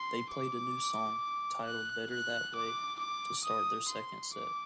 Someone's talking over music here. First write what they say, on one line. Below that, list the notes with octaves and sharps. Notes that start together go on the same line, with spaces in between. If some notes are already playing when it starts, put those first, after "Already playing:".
They played a new song, titled "Better That Way", to start their second set.
Already playing: C6
D6
F#6
F#6
D6
D6
D#6
C6
D6